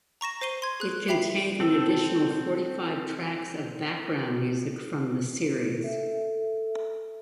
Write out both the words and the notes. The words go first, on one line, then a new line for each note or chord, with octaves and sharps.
It contained an additional forty-five tracks of background music from the series.
A#5 C#6 A#6 E7
C5 C7 D#7 G7
C6 G#6
G#4 F#6
G4 E5 G5 B5 C7 F7
C4 A4
A4 E5